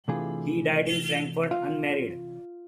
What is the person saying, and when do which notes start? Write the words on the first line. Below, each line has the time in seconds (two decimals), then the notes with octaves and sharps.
He died in Frankfurt, unmarried.
0.08 C3 E3 A3 D4 F4 G#4
1.51 F4